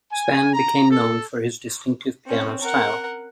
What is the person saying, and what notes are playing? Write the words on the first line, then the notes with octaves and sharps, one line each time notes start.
Spann became known for his distinctive piano style.
G#5
A#5
A4
C4 C#4
A#4 F#5